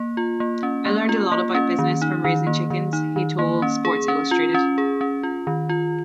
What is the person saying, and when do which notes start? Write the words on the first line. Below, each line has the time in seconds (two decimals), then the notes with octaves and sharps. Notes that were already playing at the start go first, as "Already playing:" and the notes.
"I learned a lot about business from raising chickens," he told Sports Illustrated.
Already playing: A#3
0.17 F4
0.40 A#3
0.63 C#4
0.86 A#3
1.09 F4
1.32 A#3
1.55 C#4
1.79 D#3
2.02 D#4
2.24 D#3
2.47 A#3
2.70 D#3
2.93 D#4
3.16 D#3
3.39 A#3
3.62 C#4
3.85 G#4
4.08 C#4
4.31 F4
4.54 C#4
4.78 G#4
5.01 C#4
5.23 F4
5.47 D#3
5.69 F4